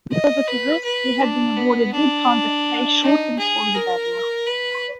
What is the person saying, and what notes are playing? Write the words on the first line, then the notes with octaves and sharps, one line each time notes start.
Further to this, he had been awarded Good Conduct pay shortly before the battle.
D#5
B4
B4
D4
B3
D4
D#4
G#4
A#4
B4